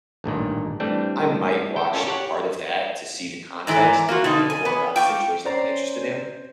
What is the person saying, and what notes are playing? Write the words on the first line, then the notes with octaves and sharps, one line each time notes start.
I might watch part of that to see the context and kinda know more about the situation I'm interested in.
A1 G2 A#2 D#3
E3 G3 A3 C4 D4
A4 G5
C#4 F4 A4 A#4 C#5
G4 C#5 F#5
G#2 E3 A3 A#5 D6
A#3 F4 F#4
B2 D3 D#4
G#5
B3
F4 G5 C#6 D6
C#4 C5 D5 A#5 C6